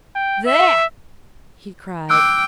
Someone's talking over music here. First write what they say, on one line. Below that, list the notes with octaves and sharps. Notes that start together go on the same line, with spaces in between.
"There!" he cried.
G5
E5
G5 D6 E6 F#6